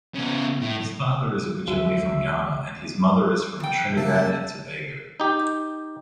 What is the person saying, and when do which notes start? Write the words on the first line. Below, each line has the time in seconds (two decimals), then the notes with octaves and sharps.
His father is originally from Ghana and his mother is from Trinidad and Tobago.
0.15 C#3 B3
0.62 A2
1.68 D2 D3 G#3 F#4 E5
3.60 F2 G5
3.96 C#3 G#3 A#3 G4 E5 A5
5.20 D#4 G4